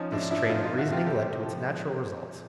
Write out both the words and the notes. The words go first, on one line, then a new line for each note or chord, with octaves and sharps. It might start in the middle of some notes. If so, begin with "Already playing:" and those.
This train of reasoning led to its natural results.
Already playing: F3 C#4 D#4
G#2 D4 E4
F3 D4 E4
F2 D#4 F4
C3 D#4 F4
E4 F#4
F2 F4 G4
C3 G4 A4
C3
F3
G#3